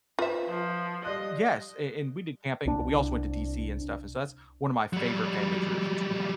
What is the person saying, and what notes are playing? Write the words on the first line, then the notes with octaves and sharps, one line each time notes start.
Yes. A and we did camping, but we also went to DC and stuff. And so that's one of my favorite family traditions we have.
F4 B4 C5 E5
F3
G3 D5 D#5 F#6
C2 D4
F#3 G3